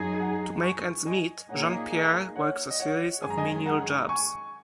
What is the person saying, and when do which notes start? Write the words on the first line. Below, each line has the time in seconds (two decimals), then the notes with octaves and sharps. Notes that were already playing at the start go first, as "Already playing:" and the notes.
To make ends meet, Jean-Pierre works a series of menial jobs.
Already playing: F#2 F#3 D#4 G#4
0.14 G#5
0.19 F#5 A#5
0.62 G#5 C#6
1.06 D#5 G#5
1.49 A#2 A#3 D#4 G#4 C#5 F#5
1.92 D#5 G#5
2.36 C#5 F#5
2.70 D#5
2.79 C#5 F#5
3.22 F#2 D#3 G#3 C#4 G#4 G#5
3.30 A#5
3.38 D#5 G#5
3.66 F#5 A#5
4.09 G#5 C#6